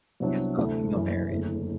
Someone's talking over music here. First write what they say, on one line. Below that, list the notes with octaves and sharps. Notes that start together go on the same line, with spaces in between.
his, uh, female variant.
C2 C3 F#3 B3 D4
D2 C3 E3 A3 D4
F#1 F#2 E3
F#1 E2 D3 A3